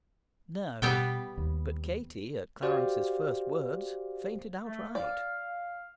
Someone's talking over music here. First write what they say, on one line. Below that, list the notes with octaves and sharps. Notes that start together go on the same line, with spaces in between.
No. But Katie, at Clarence's first words, fainted outright.
B2 G3 B3 G5
D#2
F#4 G4 C5 D5 F5
A3
D5 F5